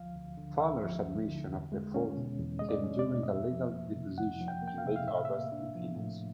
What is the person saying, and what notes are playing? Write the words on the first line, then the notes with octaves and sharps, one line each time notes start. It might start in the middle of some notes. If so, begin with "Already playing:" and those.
Fowler's admission of default came during a legal deposition in late August in Phoenix.
Already playing: D2 F3 F5
D2
D3
D2 E5
F3
D2
D3
E2
G#3
C#4
B2
E2
G#3 D#5
D5
C#4
D5
B2
D#5
F2 E5
F3
A#3
C3
F2 F#5
F3
G5
A#3
G5
F5
C3 E5
F5
A2 E5
F5
A#3 E5
D4
F3
A2